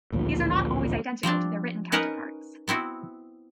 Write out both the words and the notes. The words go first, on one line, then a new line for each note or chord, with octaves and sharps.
These are not always identical to their written counterparts.
A1 D2 A#2 F3
F3 G3 C4 D4
C#4 D#4 A#4 B4 F#5
B3 C4 E4 F#4